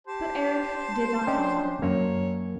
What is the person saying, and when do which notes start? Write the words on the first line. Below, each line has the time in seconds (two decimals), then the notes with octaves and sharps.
But Eric did not follow.
0.07 G4 C5 A5
1.27 C#4 D4 D#5 G5
1.82 F#2 A#3 C#5